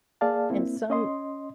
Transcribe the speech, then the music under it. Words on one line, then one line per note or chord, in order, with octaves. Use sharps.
And some
A#3 G#4 D5 F5 A5
A#3 C4 E4
C#4 D#5 C6